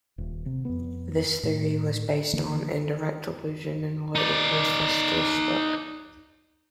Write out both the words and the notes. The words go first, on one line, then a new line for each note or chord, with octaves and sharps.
This theory was based on indirect allusion in a later preface to this book.
D#1
C3
F2 B3
A2
D3 E3 A#3
D#4 D5